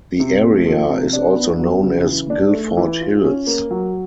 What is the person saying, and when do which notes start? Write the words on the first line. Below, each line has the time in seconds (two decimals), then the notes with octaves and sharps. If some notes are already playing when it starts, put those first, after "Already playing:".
The area is also known as Guilford Hills.
0.20 C3
0.43 A3
0.66 F3
0.90 C3
1.13 D4
1.36 B3
1.60 F#3
1.83 C#3
2.06 E3
2.30 D4
2.53 A3
2.77 E3
3.01 F4
3.24 C#4
3.47 A#3
3.71 F#3